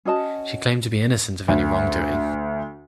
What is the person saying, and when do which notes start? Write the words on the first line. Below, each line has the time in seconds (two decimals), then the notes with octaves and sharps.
She claimed to be innocent of any wrongdoing.
0.05 C#4 F#4 D#5 A5
1.48 D2